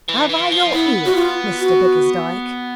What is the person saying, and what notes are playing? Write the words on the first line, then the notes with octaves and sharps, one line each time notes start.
Have I your ear, Mr Bickersdyke?'
E3
E3
F3
B3 E4
F#4
F4
F#4